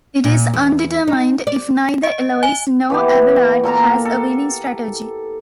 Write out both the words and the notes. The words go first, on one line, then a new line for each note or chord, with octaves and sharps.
It is "undetermined" if neither Eloise nor Abelard has a winning strategy.
A#2
E2
D#4
D5
D#5
G#5
E3 B3 G4
A#2 A4 A#4 A#5
A4